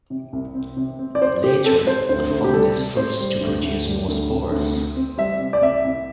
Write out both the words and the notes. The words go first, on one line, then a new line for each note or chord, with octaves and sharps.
Later, the fungus fruits to produce more spores.
C3
C2
C4
C3
C4
D5
C3 C5
C3 G4
C4 A4
C4 C5
D2 C5
D2
G4
G3 A4
C3
C4 C5
G3
D2
D2
G3
D2
C3
D2
C4
C4
G3 E5
C3
D5
C2 E5
C2